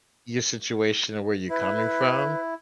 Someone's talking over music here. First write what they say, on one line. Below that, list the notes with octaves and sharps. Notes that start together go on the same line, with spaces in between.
your situation and where you're coming from,
E4 B4